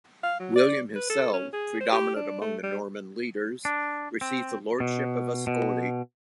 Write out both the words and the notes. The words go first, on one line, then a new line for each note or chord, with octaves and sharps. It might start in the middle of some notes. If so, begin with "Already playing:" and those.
William himself, predominant among the Norman leaders, received the lordship of Ascoli.
F5
F#3
D5
B4
A4
C#4
G#4
C5
G4
D4
A3
G3
D4
C4
B2
B2